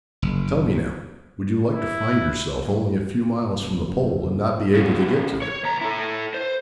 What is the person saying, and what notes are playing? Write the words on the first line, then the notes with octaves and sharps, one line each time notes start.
"Tell me, now, would you like to find yourself only a few miles from the pole and not be able to get to it?"
F#1
E4
F#1
F#1
F2 C#3
C#5
C#2 A#5
E4 A4
C5